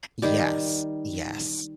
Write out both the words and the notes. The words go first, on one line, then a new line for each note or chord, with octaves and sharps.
Yes, yes.
D#3 G3 G4